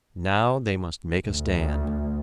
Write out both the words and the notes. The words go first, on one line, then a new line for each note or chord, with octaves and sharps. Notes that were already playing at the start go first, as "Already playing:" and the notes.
Now they must make a stand.
D2